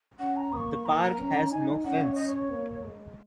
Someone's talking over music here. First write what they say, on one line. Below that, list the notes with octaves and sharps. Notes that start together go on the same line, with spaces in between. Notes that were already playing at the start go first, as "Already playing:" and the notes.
The park has no fence.
C#4 F#5
A#5
A#3 C#6 D#6
A#3 A#5
A#5
C#4
D#4 G#5
C#4 F#5
C#5
D#5
C#5
A#3
G#3